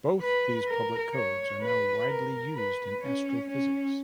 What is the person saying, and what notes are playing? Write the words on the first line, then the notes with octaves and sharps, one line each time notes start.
Both these public codes are now widely used in astrophysics.
B4
A#4
C#5
B4
A#4
B4
C#4
C#4